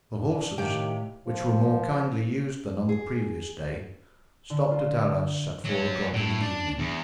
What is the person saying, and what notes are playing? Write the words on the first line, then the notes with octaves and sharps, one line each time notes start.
The horses, which were more kindly used than on the previous day, stopped at Arras at four o'clock in the evening.
D4
A2 C3 D#3 G4 C#5 F5 G5
F3
G#4
D3
F4
F#3 C#4
A2
D4
E2